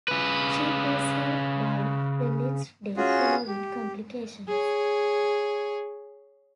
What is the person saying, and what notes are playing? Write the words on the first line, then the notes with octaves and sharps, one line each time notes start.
She herself died the next day following complications.
C#3 B4
C#4 F4 F#4 G#4
G4
G#4 C#5